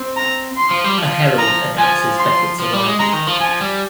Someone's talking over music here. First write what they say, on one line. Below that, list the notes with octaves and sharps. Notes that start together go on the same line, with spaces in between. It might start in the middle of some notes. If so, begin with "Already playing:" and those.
A herald announces Becket's arrival.
Already playing: C4
A#5
C6
F3
G3
F3
A#5
F3 G#5
C6
F3
G3
G#3
G#3 A#5
D#3
F3
F3 G#5
G3